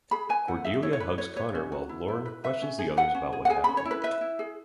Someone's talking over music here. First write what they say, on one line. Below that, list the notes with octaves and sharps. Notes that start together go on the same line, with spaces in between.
Cordelia hugs Connor while Lorne questions the others about what happened.
G#4 B5
B4 G#5
E4 F#5
G#4 E5
E4 C#5
C#5
E4 B4
B4 C#5
B4 C#5
C#4
F#4
E4
E4
B4
B4 E5
C#4
G#4
B4 F#5
C#4
G#4
F#5
G#4 G#5
B5
C#4
C#5
E4
B4
B4 E5
E4
G#4